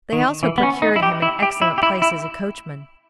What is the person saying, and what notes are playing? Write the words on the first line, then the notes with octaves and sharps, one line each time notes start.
They also procured him an excellent place as a coachman.
D#3
E3
B3
C#4
D#4
E4
G4
E4
G4
E4
G4
E4
E4